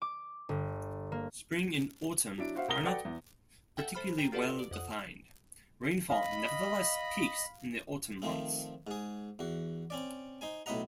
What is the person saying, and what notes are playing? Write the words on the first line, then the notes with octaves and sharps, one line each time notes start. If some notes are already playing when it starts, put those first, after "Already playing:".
Spring and autumn are not particularly well-defined; rainfall nevertheless peaks in the autumn months.
D6
G1
A#3
F#3 D4 E4 D7
F#4 C5 E5 F5
C2 A#4 F#5 D#6 A#6 G7
F#4 A4 B4 D5 F#5 G5
E2
A4 E5 F#5 G5
A4 C5 B5 F6
G5 A#5
F4 G4 A4 B4 D5 F#5
D5
F2 F#5 D#6
D#5 F5 B5
D#3 F3 A3 C4
G#2 G#4
E2 F#4
C4 C#4 D5
D#4 C5 G#5
B1 A2 B4 D#5 F#5 A#5